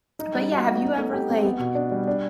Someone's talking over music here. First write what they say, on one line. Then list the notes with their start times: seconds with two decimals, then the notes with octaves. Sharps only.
but, yeah, have you ever, like,
0.19 D#4
0.35 G3
0.52 F#4
0.67 B3
0.82 D#4
0.98 A3
1.13 G4
1.30 C4
1.45 B3
1.59 B2
1.75 D4
1.92 G3
2.07 D4